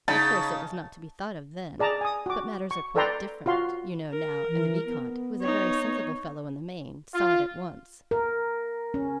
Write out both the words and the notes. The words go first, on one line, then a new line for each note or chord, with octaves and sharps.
Of course it was not to be thought of then; but matters are quite different, you know, now, and the viscount, who is a very sensible fellow in the main, saw it at once.
C#3 D#4 A5
G#4 D5 A5 A#5
G#5 D#6
F#4 D6
C#6
A4 B4 D5 G5 A#5 C6
F4 F#4 F5 C6
A#4
E3
B3
D#4 C#5
F4
A#4
C#4